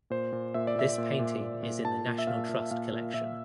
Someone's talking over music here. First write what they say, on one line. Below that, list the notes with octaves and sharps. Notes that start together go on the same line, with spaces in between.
This painting is in the National Trust collection.
A#2 C5
A#2
A#2 E5
D5
A#2 E5
A#2
A#2
A#2
A#2
A#2 A5
A#2
E5
A#2 F5
A#2
A#2 F5
A#2
A#2 E5